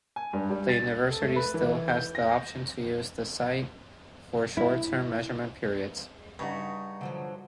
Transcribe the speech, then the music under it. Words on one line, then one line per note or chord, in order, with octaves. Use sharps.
The university still has the option to use the site for short-term measurement periods.
G#5
G2
G3
A6
A4
A3
B4
E3
G6
A#6
E4
G2 C#3 D#4 F#4
D3 F3 F#3